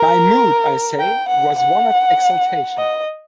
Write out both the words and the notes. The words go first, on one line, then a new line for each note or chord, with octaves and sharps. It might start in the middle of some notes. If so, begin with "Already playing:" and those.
My mood, I say, was one of exaltation.
Already playing: A#4
G5
F#5
F#5
D#5